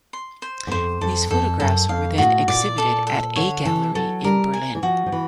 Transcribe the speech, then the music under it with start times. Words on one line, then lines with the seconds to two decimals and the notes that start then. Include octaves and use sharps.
These photographs were then exhibited at a gallery in Berlin.
0.13 C6
0.42 C5
0.67 E2
0.71 F2 C5
1.01 F2 A4
1.30 F2 A4
1.60 F#2 A4
1.89 F2 F5
2.18 A2 F#4
2.48 A#2 D5
2.78 A4
3.07 A4
3.36 D3 C#5
3.65 E3 A4
3.95 F#3 A4
4.24 G3 A#4
4.54 G#5
4.75 E3
4.83 F3 F#4
5.06 F3
5.12 E3 B4